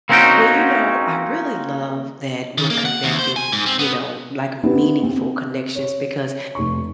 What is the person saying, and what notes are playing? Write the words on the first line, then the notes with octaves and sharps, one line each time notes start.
Well, you know, I really love that we're connecting, you know, like, meaningful connections, because
A#3 C4 C#4 D#4 F#4 G5
D#3
A#3
F#5
D#2
C5
G#5
G#2
C4
B3
B3 C4 D4 E4 G4
C4
C#5
F1 C#6